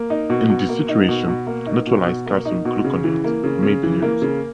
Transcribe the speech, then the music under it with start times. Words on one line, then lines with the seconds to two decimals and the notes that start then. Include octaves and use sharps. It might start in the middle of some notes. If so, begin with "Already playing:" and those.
In this situation neutralized calcium gluconate may be used.
Already playing: A#3
0.10 D#4
0.30 B2
0.49 B2
0.69 A#3
0.88 D#4
1.08 B2
1.28 B2
1.47 A#3
1.66 D#4
1.87 B2
2.06 B2
2.26 A#3
2.45 D#4
2.65 B2
2.84 C#3
3.04 E3
3.24 A#3
3.44 C#3
3.63 C#3
3.83 E3
4.02 A#3
4.22 C#3